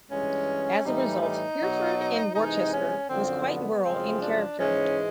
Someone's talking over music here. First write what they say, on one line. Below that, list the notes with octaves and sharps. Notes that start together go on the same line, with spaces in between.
As a result, Hereford and Worcester was quite rural in character.
G2 E3 G#3 C#4
A2 E3 G3 D#4
D#4
B2 F#3
C3 E3 G#3 D#4
C#4
F#2 D3 F3 C4
B3
F#2 C#3 F3 G#3 C4
D4
G#2 E3 G#3 C#4